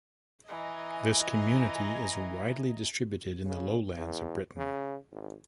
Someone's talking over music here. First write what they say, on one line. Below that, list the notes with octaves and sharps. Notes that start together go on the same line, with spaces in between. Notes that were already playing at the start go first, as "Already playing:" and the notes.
This community is widely distributed in the lowlands of Britain.
E3 D#5 G#5 A#5
C#3
E2
C#3
G#1